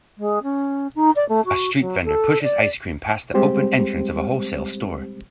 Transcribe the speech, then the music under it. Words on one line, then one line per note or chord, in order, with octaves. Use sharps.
A street vendor pushes ice cream past the open entrance of a wholesale store.
G#3
C#4
D#4
D5
A3
F#4
F#3
A4
D5
G3 G#3 C4 G4 C5